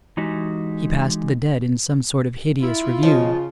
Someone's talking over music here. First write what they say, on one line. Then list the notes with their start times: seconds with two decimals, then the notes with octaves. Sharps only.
He passed the dead in some sort of hideous review.
0.17 E3 G#3 D#4 F#4 G4
2.63 E4 F4
3.03 C#3 F3 D#5